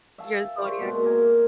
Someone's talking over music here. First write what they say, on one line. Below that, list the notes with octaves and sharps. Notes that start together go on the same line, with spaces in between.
Your zodiac
E5 F5 G#5 A5
C5 D5 C#6
B2 G#3 A#3
A#4 G#5